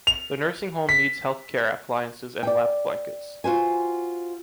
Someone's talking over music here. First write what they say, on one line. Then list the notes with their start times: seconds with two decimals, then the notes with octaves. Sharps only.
The nursing home needs health care appliances and lap blankets.
0.07 F7
0.89 B6
2.43 D5 G5
3.44 F4 F#4 C5 G#5